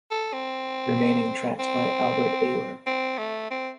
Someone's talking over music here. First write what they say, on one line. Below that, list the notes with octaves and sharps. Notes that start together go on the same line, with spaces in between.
Remaining tracks by Albert Ayler.
A4
C4
C4
C4
A3
C4